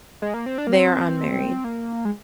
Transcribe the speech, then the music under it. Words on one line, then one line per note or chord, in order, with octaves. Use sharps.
They are unmarried.
G#3
A#3
C4
D4
A#3
C4
A#3
G#3